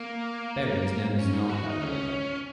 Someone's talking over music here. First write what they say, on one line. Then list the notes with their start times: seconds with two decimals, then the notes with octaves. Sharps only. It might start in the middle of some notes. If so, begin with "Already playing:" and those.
Beri is known as an art gallery owner.
Already playing: A#3
1.18 C#4
1.33 D#4
1.49 F#4
1.66 D#4
1.82 C#4